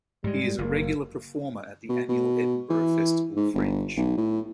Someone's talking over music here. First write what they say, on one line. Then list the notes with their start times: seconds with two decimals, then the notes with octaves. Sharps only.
He is a regular performer at the annual Edinburgh Festival Fringe.
0.24 G#2 G3 G#3
0.58 F#1 A#3
1.89 B2
2.09 B2
2.70 E3
3.36 G#2
3.54 G1
3.97 B1
4.17 A2